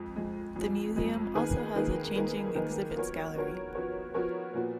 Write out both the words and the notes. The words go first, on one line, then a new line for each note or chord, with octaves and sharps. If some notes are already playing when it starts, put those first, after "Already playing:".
The museum also has a changing exhibits gallery.
Already playing: F2 F3 G#3
F2 F3 G#3
F2 F3 G#3
F2 F3 G#3
D#3 A#3 D#4 G#4 B4
D#3 A#3 D#4 G#4 B4
D#3 A#3 D#4 G#4 B4
D#3 A#3 D#4 G#4 B4
F3 B3 F#4 A#4 C#5
F3 B3 F#4 A#4 C#5
F3 B3 F#4 A#4 C#5
F3 B3 F#4 A#4 C#5
A#2 F3 B3 F#4